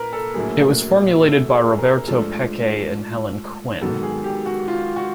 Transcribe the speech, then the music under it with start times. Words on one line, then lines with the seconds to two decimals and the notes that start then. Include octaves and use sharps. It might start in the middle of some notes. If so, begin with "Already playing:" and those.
It was formulated by Roberto Peccei and Helen Quinn.
Already playing: A#2 A#4 B4
0.13 A4
0.34 A#1 A2 F#3 A#3 G#4
1.21 A4
1.50 G#4
1.79 A#4
2.08 G#2 F3 A3 D4 A4
3.81 G#2 D#3 F#3 B3 A4
4.03 G#4
4.24 G4
4.46 F#4
4.68 F4
4.96 F#4